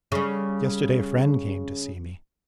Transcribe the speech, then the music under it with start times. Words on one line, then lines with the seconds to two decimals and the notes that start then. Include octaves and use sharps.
Yesterday a friend came to see me.
0.12 C#3 G3